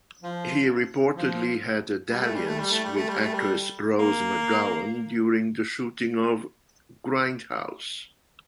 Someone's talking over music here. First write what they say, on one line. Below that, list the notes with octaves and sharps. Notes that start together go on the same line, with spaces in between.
He reportedly had a "dalliance" with actress Rose McGowan during the shooting of "Grindhouse".
F3
F3
G3
A3
G3
A3
G3
A3
G3
A3
G3
A3
G3
A#3